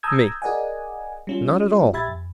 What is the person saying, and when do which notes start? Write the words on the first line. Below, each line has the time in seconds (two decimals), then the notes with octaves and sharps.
ME: Not at all.
0.03 A5 A#5 D#6 E6 G6 G#6
0.42 G#4 A#4 D5 D#5 F#5 G#5
1.27 G3 C#4 F4
1.93 A#1 G4 E5 B5 G#6 A6
2.08 F2